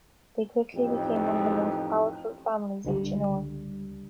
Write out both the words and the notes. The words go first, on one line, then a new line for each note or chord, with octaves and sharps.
They quickly became one of the most powerful families of Genoa.
A1 F2 D#4 G4
C#2 D3 G3